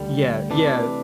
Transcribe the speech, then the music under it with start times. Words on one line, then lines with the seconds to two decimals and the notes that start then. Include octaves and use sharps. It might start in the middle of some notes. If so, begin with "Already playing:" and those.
Yeah, yeah.
Already playing: D2 D3 G3
0.50 C3 E3 A3 D4